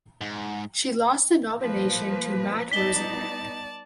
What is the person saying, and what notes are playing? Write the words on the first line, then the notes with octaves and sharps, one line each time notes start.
She lost the nomination to Matt Rosendale.
G#2
F3 A#3 B4
G3 B3 D#4 D5 A5 B6 G7